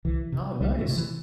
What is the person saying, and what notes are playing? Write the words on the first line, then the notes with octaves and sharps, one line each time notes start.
Oh, nice.
C2 E3
C3
C2 G3
A3
C3
E3